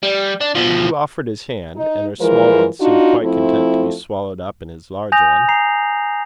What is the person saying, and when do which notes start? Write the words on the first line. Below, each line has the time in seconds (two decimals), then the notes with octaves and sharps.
Hugh offered his hand; and her small one seemed quite content to be swallowed up in his large one.
0.03 G3
0.41 D4
0.55 B2 F3
1.76 D#4
2.20 E3 F3 G#3 A#4
2.80 D4 D#4 F4 F#4
3.22 F3 A3 C4 E4
5.12 G#5 D#6 G6 A#6 F7
5.49 A#5 C7 F7